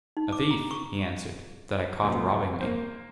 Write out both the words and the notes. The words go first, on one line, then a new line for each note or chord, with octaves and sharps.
'A thief,' he answered, 'that I caught robbing me.'
D#4
D6
A#5
C#6
C#2 F#2 A#2
A#3 C5